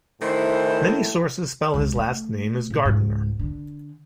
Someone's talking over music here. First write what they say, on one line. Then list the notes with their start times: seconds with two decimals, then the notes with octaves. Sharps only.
Many sources spell his last name as Gardiner.
0.21 A2 D#3 E3 C5
1.74 C#2 C#3
1.95 A3
2.70 A#2
2.85 C#2 G#2
3.39 D3